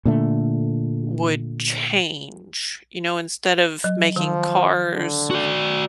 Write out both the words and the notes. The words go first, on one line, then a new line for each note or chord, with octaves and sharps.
would change. You know, instead of making cars
A#2 D3 A3
F#3
D#3 F3
D3
F#4 D5